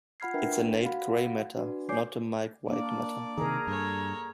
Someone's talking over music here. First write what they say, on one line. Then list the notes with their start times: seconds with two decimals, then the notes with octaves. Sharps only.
It's a Nate Gray matter, not a Mike White matter.
0.20 F4 F#5 B5 F6 G#6 C7
0.34 D4 A#4 B4 E5 G5
0.82 F#4 F5 F#5 B5
1.57 D4 F#4 B4 D5
1.89 C#5 D5 G#5 D6 G6 C7
2.69 A#3 D4 D5 D6
3.38 C3 D#3 G#4 A#4 A#5
3.67 G2 A4 C#5